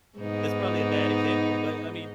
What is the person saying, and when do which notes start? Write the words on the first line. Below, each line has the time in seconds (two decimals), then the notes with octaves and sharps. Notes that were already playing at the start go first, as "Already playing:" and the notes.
it's probably a bad example, but, I mean,
0.18 G#2 B3 D#4